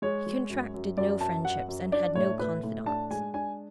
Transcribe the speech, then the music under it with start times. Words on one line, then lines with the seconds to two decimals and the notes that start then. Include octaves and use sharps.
He contracted no friendships and had no confidants.
0.02 G#3 C#5
0.27 G#3
0.50 F#2
0.74 F#2
0.97 F#2 D5
1.21 F#2 A5
1.45 F#2 F#5
1.68 F#2
1.92 D4 D5
2.15 A2 C#5
2.39 A2 B4
2.64 A2
2.86 D4 A5
3.11 G#3 G#5
3.34 D4 G#5